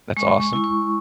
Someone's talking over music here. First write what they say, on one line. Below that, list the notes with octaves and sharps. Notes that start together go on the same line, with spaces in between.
That's awesome.
G#3 C#6
C#6
E4
C#6